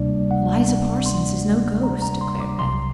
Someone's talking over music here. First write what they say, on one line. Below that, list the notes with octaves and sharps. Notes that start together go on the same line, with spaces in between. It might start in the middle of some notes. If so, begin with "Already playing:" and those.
"Eliza Parsons is no ghost," declared Beth.
Already playing: D2 C3 G3 A#3 D4 D5
F#5
C6
A#5
A#5
C6
D6
C2 C3 F#3 C6